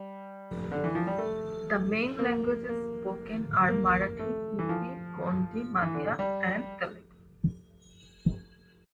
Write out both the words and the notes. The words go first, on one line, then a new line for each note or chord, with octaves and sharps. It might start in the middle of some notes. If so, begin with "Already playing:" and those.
The main languages spoken are Marathi, Hindi, Gondi, Madiya and Telugu.
Already playing: G3
D3
E3
F3
G3
A3
A#3
A#3
A#3
A3
E3
F3
E3
D3
G3